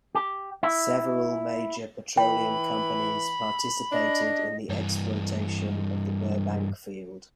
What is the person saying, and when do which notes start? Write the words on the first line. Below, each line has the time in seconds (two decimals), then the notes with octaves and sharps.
Several major petroleum companies participated in the exploitation of the Burbank Field.
0.15 G4
0.63 E4
2.17 E3 G5 B5
3.92 D4 D#5
4.69 G2 E3